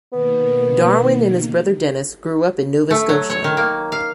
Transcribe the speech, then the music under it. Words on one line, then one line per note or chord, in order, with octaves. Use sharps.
Darwyn and his brother Dennis grew up in Nova Scotia.
B2 D#3 A#3 B3
A3
F#3
C#5
D#3
A#3
F5